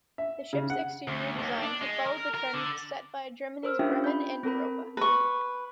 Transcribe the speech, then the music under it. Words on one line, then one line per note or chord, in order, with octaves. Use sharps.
The ship's exterior design had followed the trend set by Germany's Bremen and Europa.
E5
C#3
F#5
D2
D#2
D4
G#3
A#4
A#4
D3
A#4 C5 E6 F6
C#4 D4 F4 G4 E5 G5
B5 G6
C4 A4 A#4 B5
B4 C#6